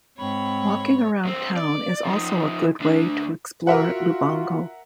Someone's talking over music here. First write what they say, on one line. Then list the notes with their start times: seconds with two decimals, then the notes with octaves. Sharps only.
Walking around town is also a good way to explore Lubango.
0.18 G#2 C4 C#5 B5
1.25 G2 C4
1.56 D5
2.05 F3 D#4
2.80 D2 D4
3.67 F4 F#4 A#4 E5 F#5